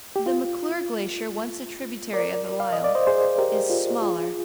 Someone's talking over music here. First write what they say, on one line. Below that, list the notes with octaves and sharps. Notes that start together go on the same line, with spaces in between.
The McClure Glacier, once a tributary of the Lyell, is smaller.
G4
F4
A#4 D5
F5
D#5
D5
C5 D#5
G#4 C5
G4 A#4
F4
F4 G#4